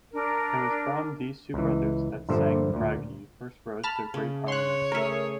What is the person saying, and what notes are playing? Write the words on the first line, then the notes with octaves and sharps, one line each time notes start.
It was from these two brothers that Sengge Ragi first rose to great prominence.
D4 A#4
C#2 E3
G2 A#2 D3 F3 C5 E5
D2 A#2
A5 B5 F6
C#3
C#5 C6 F#6
A3 G#4 A#4 E5